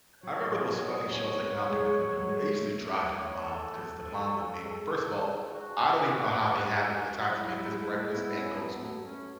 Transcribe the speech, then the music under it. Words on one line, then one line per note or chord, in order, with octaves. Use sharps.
I remember those funny shows like Malcolm in the Middle, it used to drive me wild because the mom would make first of all, I don't even know how they had the time to make this breakfast and go to school
F#3 C#5
E3 D#5
F#3
C#5
F#3
D#5
C#4 C#5
B3
G#3
F#3
G#3
A3
D#5
C#5
A4
G#3
F#4
F#3 E4
G#3
A3
G#3
A3
G#3
B3
C#4
B3
B3
A3
C#4